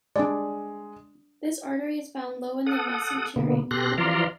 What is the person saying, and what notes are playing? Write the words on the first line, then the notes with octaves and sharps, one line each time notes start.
This artery is found low in the mesentery, near the root.
G#3 D4 D5
A4 F#5 D#6
B2 D3 A#3 B3
B2 G4 A4 C6 F#6 A#6
E3 F3 D5 F5 A#5 C6